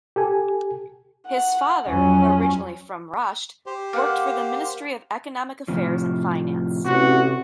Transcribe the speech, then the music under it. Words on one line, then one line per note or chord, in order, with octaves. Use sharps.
His father, originally from Rasht, worked for the Ministry of Economic Affairs and Finance.
G4 A4 G#5
F#5
F2 F#3 C#4
G4 C5
A#3 F#5
A2 C3 F3
A1 C3 F#4 F#5